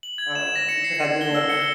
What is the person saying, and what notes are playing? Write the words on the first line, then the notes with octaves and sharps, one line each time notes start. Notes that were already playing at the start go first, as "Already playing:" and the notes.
um, because I do wanna
F#7
G#6
E7
A#6
C#7
C7
C7
G7
E6
C#7
G7